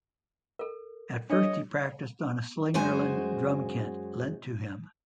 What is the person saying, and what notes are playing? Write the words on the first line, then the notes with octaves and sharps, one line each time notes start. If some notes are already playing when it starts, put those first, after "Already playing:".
At first he practiced on a Slingerland drum kit lent to him.
A4 A#4
D4 A4 C#5 D#5
F#2 G#3 F#4 C5 G#5